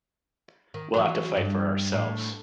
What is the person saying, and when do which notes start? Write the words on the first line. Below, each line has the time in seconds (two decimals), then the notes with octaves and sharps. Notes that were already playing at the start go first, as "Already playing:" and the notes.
We'll have to fight for ourselves.
0.74 D#3
0.94 E3 F#3
1.37 G2
1.92 A2